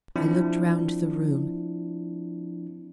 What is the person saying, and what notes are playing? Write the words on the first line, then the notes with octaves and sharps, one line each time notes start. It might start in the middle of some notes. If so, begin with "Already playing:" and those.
I looked round the room.
F3 C4 D4 E4